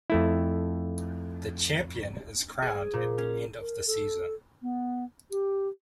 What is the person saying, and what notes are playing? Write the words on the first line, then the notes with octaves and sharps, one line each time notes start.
The champion is crowned at the end of the season.
F2 A3 E4
G#4
A#2
C#4
A#4
A4
B3
G4